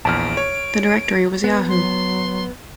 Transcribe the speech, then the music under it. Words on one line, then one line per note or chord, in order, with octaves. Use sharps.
The directory was Yahoo!
A#1 E2 A5 F6 D7
C#5
B3 B4
F#3 C6